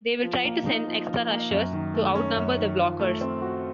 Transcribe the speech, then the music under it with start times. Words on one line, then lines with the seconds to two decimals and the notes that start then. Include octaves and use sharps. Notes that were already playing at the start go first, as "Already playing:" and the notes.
They will try to send extra rushers to outnumber the blockers.
0.23 F3
0.45 A#3
0.66 D#4
0.87 F3
1.08 F3
1.30 A#3
1.51 F#2
1.73 D#3
1.94 A3
2.15 C#4
2.36 F#2
2.58 D#3
2.79 F3
3.00 A3
3.21 C4
3.42 F#4